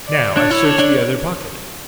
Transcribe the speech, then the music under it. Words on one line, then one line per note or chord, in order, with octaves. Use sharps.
Now I search the other pocket....
D5
D4 C#5
E4
D4
D4